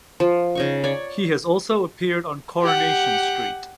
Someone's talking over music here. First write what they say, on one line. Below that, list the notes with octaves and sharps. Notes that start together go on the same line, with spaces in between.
He has also appeared on "Coronation Street".
F3
C#3 D#4 C#6
C#5 D5
G4 F#5